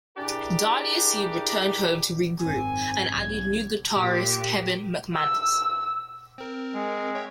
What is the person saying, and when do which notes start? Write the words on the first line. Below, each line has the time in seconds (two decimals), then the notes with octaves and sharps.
Dahlia Seed returned home to re-group, and added new guitarist Kevin McManus.
0.16 D4 E4 G4 G#4 A#4
2.40 G#1 F#2 C4 G#5
3.05 B1 E2 C#3 G#6
3.93 A#2 G4
5.15 E6
6.38 C4 A#4
6.75 G#3
7.15 C#5 E5 G5